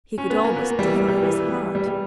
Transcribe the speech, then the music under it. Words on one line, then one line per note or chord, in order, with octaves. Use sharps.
He could almost defy his heart.
C#4
B3
A#3
B3
A#3
G3
E3
G3
G3
E3
G3
G3
G3